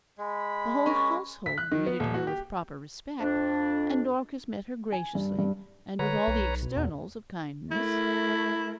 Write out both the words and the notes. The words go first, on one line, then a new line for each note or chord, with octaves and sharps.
The whole household greeted her with proper respect, and Dorcas met her graciously, and with all the externals of kindness.
G#3 B5
C#4 A#4
B6
F#6
D#3
B3
D#1
F#4
G4
F2 D4
G#5
G2
G2
D3 B4 C#5 A#5
B1
B2
E2
A3 E4 A#4